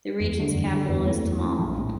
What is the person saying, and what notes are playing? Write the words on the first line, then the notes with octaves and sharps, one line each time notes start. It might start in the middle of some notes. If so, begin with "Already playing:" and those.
The region's capital is Tamale.
E2
D3 G3
E2
D3 G3
E2
E3 A3 C4
E2
E3 A3 C4
A#1
A2 G3